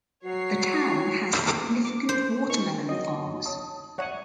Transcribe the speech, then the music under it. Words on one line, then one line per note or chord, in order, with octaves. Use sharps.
The town has significant watermelon farms.
F#3 F#4 C#5 C7
D6
C5
D#4 A#4 C#6
F#3 A#3 D#5
C#5 A5 D#6
C#5 D5 E5 F#5 D#7